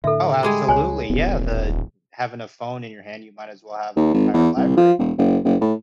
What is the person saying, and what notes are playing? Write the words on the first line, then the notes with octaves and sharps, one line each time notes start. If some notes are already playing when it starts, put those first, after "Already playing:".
Oh, absolutely, yeah, the having a phone in your hand, you might as well have the entire library,
A2 D3 A4 E5
G3 G#3 G#4
C#2 C5 C#5 G#5
D#1 A1 B3
D#2
G#1
E2
C2
F3
E1
F#1
F#1
A2